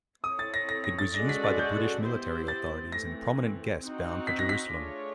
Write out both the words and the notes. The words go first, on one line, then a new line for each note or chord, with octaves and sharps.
It was used by the British military authorities and prominent guests bound for Jerusalem.
C4 E4 A4 C#5 D#6
A6
A#6
A#6
A#6
A6
G#3 C#4 F#4 A4 D5 A#6
B6
A6
G6
B3 E4 G4 C5
A6
E3 A3 C4 A#6
C4 D#4 F#4
B6
A#6
B6
A3 D4 F4 G#4 C#5